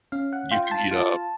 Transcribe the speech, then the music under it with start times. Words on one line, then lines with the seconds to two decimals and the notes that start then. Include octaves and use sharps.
you can heat up.
0.12 C#4 F5
0.33 F#5
0.51 F4 G5
0.71 A5
0.91 F4